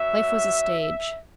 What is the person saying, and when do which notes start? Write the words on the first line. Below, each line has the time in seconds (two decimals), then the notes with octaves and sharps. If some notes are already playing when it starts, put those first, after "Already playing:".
Life was a stage.
Already playing: F#2 F#3 E5